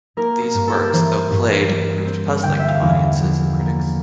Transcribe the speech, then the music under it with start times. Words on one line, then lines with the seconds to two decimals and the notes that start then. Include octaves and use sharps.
These works, though played, proved puzzling to audiences and critics.
0.17 A#3 A#4
0.42 A#4
0.54 G2
0.68 A4
0.74 G4
0.81 A4
0.88 A#4
0.93 E3 C5
1.31 G2
1.68 G3
2.05 C4
2.43 D3 G5
2.59 E5
2.69 F5
2.82 E2
3.19 F3
3.58 A#3